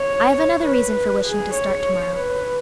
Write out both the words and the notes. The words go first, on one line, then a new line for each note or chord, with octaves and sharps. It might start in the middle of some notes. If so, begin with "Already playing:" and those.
I have another reason for wishing to start to-morrow.
Already playing: C#5
B4
G#4
C#5
B4